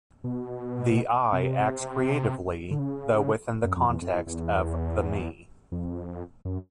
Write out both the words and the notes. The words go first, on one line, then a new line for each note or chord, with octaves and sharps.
The "I" acts creatively, though within the context of the "me".
B2
C3
D3
C#3
F#2
F2
E2
F2
E2
E2
F2
F#2